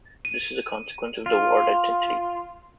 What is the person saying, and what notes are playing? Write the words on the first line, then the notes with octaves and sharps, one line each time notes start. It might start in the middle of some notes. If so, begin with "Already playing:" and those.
This is a consequence of the Ward identity.
D#7
F4